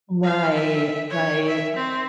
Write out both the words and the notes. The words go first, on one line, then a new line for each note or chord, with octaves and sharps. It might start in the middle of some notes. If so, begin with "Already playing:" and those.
Right, right.
F5
E5
C#5
E5
C4